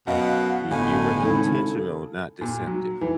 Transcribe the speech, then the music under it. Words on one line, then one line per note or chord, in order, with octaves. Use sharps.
Y you were intentional, not deceptive.
F#2 B2 D#5 F5 F#5
G1 A2 G#5
G#1 C#3 E4 A4
A#2
F#3
E3